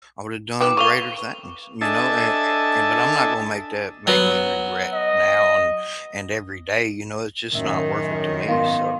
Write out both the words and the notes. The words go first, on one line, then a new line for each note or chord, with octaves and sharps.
I would've done greater things, you know, a a and but I'm not gonna make that make me regret now and and every day, you know? It's just not worth it to me, so
D#3 B4 G5 D6
A3 B4 F5 C#6 F7 G7
D4 A4 D#5 E5 G#5 A5
F#3 B3
D#5
C2 F#2 A2 D#3 E5
G#2 B3 F5 C6